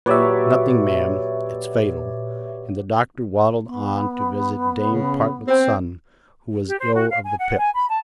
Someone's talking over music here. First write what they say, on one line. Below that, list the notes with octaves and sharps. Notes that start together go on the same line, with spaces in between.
'Nothing, ma'am; it's fatal.' And the doctor waddled on to visit Dame Partlet's son, who was ill of the pip.
A#2 F#3 G4 B4 C#5 D5 E5
B3
C#3
C4
G4
C5
F#4
F5
G#5
F#5
G#5
B5
A5